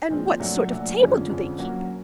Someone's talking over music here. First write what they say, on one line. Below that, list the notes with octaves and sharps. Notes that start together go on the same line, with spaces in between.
And what sort of table do they keep?
A#2 F3 G#3 C4
A#2 F#3 A3 D4 F#4
A#2 F#3 A3 D4 F#4
F2 D3 F3 G#3 C#4
F2 D3 F3 G#3 C#4
F#3 A#3 C#4 F#4